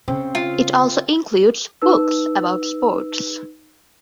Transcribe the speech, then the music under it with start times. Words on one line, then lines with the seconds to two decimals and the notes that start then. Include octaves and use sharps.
It also includes books about sports.
0.08 C#3 C4
0.35 F4
1.82 D#4 B4 E6